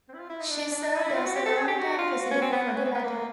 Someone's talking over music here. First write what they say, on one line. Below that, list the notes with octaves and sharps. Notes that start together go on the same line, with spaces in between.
She served as a longtime president for the latter.
C4
E4
F4
E4
D#4
D4
D4
D#4
E4
F4
F#4
G4
A4
G#4
G4
F#4
F4
F#4
C#4
C4
B3
C#4
C4
B3
A#3